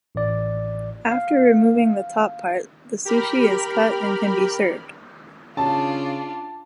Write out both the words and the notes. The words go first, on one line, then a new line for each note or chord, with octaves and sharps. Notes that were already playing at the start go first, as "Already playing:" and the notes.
After removing the top part, the sushi is cut and can be served.
A1 D5
F5
G4 A#4 B5 F6
C#3 D4 F4 A5